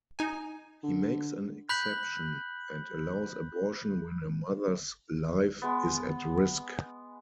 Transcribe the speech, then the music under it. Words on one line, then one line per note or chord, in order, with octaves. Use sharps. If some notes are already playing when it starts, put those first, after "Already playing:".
He makes an exception and allows abortion when a mother's life is at risk.
D#4 G#5
D3
B5 F#6 G6 B6 F#7
G#3 B3